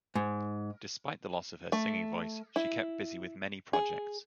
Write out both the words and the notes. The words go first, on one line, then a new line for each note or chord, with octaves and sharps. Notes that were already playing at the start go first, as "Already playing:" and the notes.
Despite the loss of her singing voice, she kept busy with many projects.
G#2
A3
E4
G#4